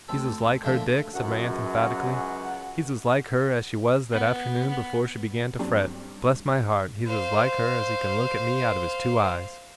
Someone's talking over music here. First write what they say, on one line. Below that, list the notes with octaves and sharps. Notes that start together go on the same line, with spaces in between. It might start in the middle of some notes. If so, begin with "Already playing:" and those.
'He's as like her, Dick,' said my aunt, emphatically, 'he's as like her, as she was that afternoon before she began to fret--bless my heart, he's as like her, as he can look at me out of his two eyes!'
D2 C4 A4
D3 F3 A3 A#3 D4 F4
C#2 F#2 F#5
B3
B3
G2 F#3 G3 C4 D4
C5 F5